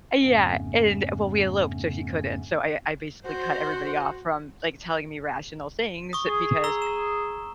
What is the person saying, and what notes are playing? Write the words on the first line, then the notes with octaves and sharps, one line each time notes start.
Uh, yeah. And well, we eloped so he couldn't. So I I basically cut everybody off from, like, telling me rational things because
F2 G#2 C#3 A3 B3 C#4
F#4 C5
C#6 D#6
G#4
A#5 E6 G7
E7